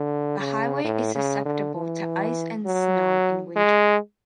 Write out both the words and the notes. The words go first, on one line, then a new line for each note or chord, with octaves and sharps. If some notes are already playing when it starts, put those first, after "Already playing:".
The highway is susceptible to ice and snow in winter.
Already playing: D3
C#3
A2
C#3
D3
E3
F#3
G#3